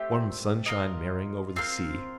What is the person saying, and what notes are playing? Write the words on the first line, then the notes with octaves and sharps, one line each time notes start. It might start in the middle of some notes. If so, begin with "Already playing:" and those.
Warm sunshine merrying over the sea.
Already playing: A3 C4 G4
F4 A#4 D#5
C4 F4 A#4 F5